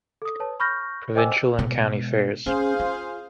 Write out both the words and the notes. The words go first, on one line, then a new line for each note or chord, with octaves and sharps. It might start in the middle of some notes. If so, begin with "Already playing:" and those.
Provincial and County Fairs.
A4 D#6
B4 C#5 A5
B5 C#6 F6 G6 A#6
C5 D#5 G5 G#5 D6 E6
B2 G#3
C#4 G#4 C5 F5
F4